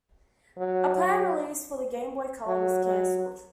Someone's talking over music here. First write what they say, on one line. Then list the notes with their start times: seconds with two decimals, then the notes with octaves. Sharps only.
A planned release for the Game Boy Color was cancelled.
0.58 F#3
0.95 F#3
2.47 F#3
2.85 F#3